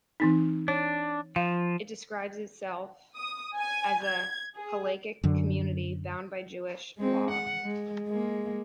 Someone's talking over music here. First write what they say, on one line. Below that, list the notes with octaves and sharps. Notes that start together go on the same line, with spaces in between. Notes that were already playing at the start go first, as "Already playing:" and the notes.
It describes itself as a "hallachic community bound by Jewish law".
E3 C4 D#4
D4 C#5
F3 F5
D#6
G#5
G#6
G#4
F#2 D3
G#3 C4
F#5
G#3
G#3 A#3